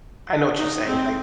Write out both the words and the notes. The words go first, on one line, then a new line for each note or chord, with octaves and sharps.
I know what you're saying, like
D#4
C4